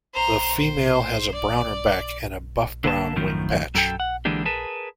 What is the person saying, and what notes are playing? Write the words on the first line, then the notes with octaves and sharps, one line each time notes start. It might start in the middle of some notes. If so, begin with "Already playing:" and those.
The female has a browner back and a buff-brown wing patch.
C5 A#5
C5
D5
D3 A#3 A5
F#2 A2 D#3 F3
F#2 A4 G5
F#5
D3 E3 G#3 A#3 D4 G4
G#4 A#4 B4 A5